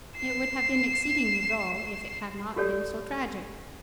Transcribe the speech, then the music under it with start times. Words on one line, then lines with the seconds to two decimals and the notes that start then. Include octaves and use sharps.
It would have been exceedingly droll if it had not been so tragic.
0.17 C7 E7
2.56 F#4 G4 A4 C#5 D5